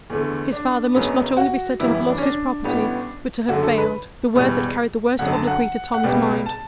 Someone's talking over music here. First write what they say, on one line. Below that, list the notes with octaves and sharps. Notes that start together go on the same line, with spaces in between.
His father must not only be said to have "lost his property," but to have "failed,"--the word that carried the worst obloquy to Tom's mind.
E2 D3 A3
D4
F#1 F#2 C#3 F#3 B3
F#4
F#2 E3 G3 B3 E4
E4
D4
C#4
D4
A1 A2 G3 B3
F#2 D3 A3 F#4
A4
B4
F#1 E2 B2 G3
F#2 D3 F#3 F#5
A5
F#5
F#5
C#2 B2 G3 B3 G5
A5